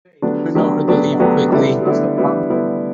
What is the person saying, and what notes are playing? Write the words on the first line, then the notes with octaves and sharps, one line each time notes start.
Turn over the leaf quickly.
D3 F#3 B3 D4 G4
D3 F#3 B3 D4 G4
D3 F#3 B3 D4 G4
D3 F#3 B3 D4 G4
D3 G3 B3 E4
D3 G3 B3 E4
D3 G3 B3 E4
D3 G3 B3 E4